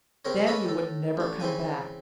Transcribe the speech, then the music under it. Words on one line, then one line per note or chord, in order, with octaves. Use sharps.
Then you would never come back.
C#3 C4 A#4 C#5
A#3 C#4 G#4 A4 B4 D#5
A2 A4
A1 D4
C#3 E3 C4 G#5